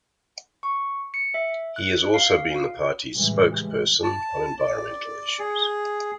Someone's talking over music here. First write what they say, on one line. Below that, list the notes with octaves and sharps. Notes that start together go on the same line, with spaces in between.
He has also been the party's spokesperson on environmental issues.
C#6
C#7
E5
F#6
F5
A2 C#3 E3 G3 G#3
A5
D5
G#4